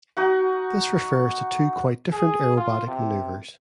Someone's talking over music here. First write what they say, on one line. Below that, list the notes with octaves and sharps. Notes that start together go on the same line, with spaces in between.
This refers to two quite different aerobatic maneuvers.
D#4 F#4 F#5
G#4
F4
C3